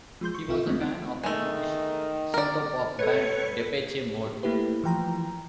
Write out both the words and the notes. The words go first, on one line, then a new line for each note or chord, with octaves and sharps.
He was a fan of an English synthpop band Depeche Mode.
F3 G#3 C6 G6
C#6
B1 C3 F4 A4 E5 F5
D3 E3 G#3 A3 B3 C4
C4 D#4
D#3 G#3 A3
A#4 D5
A4 B4 C#5
A3 A#3 E4 G4 B4
E3 F3 G5 A#5